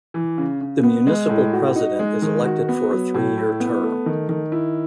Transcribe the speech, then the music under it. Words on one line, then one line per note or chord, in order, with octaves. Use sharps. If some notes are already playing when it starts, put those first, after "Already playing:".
The municipal president is elected for a three-year term.
E3
C#3
C#3
B3
G#3
A2
F#4
D#4
G#3
D#3
F#4
B3
F#3
A2
E4
B3
A3
D#3
D#3
E4